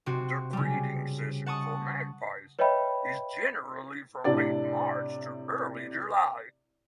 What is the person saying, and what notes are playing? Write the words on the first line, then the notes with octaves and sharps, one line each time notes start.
The breeding season for magpies is generally from late March to early July.
C3 C4 F#4
C#3 G3
F#5 A5 C#6 D#6
B4 C#5 D#5 E5 G5 B5
A2 C3 D4 D5 A6